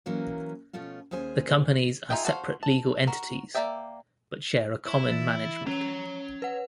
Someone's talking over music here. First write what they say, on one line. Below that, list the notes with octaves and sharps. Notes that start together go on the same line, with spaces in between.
The companies are separate legal entities, but share a common management.
E3 F#3 A#3 C#4 A#4
B2 F3 A3 C#4 F4
D#2 C#4 G#4 C5 G#5
D#4 F4 G#4 E5 G5
F#4 A4 B4 C5 F5
A5
F#4 A#4
A#3 D#4 D5 E5 G5
E4
E3 A6
C#4 C#5 A#5
B4 F#5